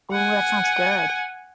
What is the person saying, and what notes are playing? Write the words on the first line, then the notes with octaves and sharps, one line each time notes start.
Ooh, that sounds good.
F#5 G#5